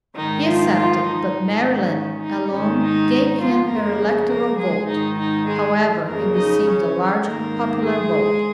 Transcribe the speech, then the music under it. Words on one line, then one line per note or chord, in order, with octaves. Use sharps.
He accepted, but Maryland alone gave him her electoral vote; however, he received a large popular vote.
G#2 D#3 D#4
F3 F4
F3 F4
D#4
G#2 D#3
C#4
D#4
G#2 D#3 C#4
D#4
F3 F4
F2 C#3 A#3 A#4
A#3 A#4
G#3 G#4
G#2 D#3 D#4
D#4
G#3 G#4
F2 C#3 A#3 A#4
D#4 D#5
C#4 C#5
G#2 D#3 A#3 A#4
G#3 G#4